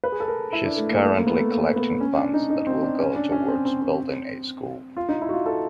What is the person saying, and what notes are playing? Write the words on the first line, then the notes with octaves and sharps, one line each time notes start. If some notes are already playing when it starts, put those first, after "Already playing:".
She is currently collecting funds that will go towards building a school.
B4
G#4
A4
A#4
E4
D4
A3
A#3
A3
A#3
B3
A3
A#3
B3
C#4
D4
D#4
D#4
C4
D4
C#4
D4
C#4
C4
C4
C4
F4
D#4
E4
F#4
F4
A4